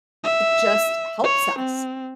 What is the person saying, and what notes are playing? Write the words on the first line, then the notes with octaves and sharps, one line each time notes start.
it just helps us.
E5
C#5
C4